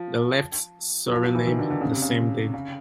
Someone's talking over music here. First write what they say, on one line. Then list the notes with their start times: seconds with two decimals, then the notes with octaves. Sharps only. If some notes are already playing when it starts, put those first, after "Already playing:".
They left Suriname the same day.
Already playing: F3
1.06 F#3
1.11 F3
1.23 F#3
1.35 E3
1.47 D#3
1.59 D3
1.70 D3
1.81 C#3
1.91 C3
2.02 C#3
2.54 C#3